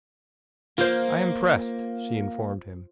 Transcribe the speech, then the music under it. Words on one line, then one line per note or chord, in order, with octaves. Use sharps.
"I am pressed," she informed him.
A#3 F4 C5